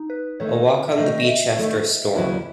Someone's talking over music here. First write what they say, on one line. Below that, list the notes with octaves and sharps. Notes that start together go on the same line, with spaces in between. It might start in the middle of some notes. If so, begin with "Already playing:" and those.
A walk on the beach after a storm.
Already playing: D#4
B4
D#3 A3 D#4 C#5
E5
D#3 A3 D#4 D#5
D#5
E5
D#3 A3 D#4
D#2 C#3 F#3 C#4 E4